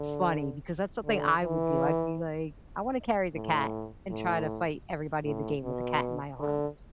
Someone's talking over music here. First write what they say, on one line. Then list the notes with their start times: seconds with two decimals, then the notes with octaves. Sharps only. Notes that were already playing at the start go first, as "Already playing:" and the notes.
funny because that's something I would do. I'd be, like, "I wanna carry the cat and try to fight everybody in the game with the cat in my arms."
Already playing: D3
1.05 D3
1.43 E3
3.34 A2
4.10 A2
5.24 A2
5.62 B2
6.40 D3